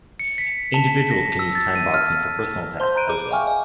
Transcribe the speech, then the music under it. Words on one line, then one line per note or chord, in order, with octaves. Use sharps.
Individuals can use timeboxing for personal tasks, as well.
C#7
B6
A5
B6
A#6
E6
A6
D#7
F6
C5 A5 C6 G6
A#5 B5 F#6 G6 D7 D#7
G#4 D6
E5 F5 G5 G#5 C#6 F6
D#5 G#5